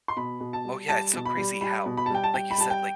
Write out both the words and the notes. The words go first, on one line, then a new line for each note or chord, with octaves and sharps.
Oh, yeah it's so crazy how, like you said, like
C6
B2 B5
B2
A5
G3
G3 A5
B2
B5
G3
G3 B5
B2
B5
A5
G3 G5
A5
G3 G5
B5
G3 A5
G5